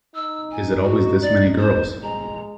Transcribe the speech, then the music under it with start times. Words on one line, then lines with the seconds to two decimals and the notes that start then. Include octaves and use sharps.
Is it always this many girls?
0.15 D#4 E6
0.52 G#5
0.83 F#4
1.22 D5
1.58 C5
2.03 G#3 A#5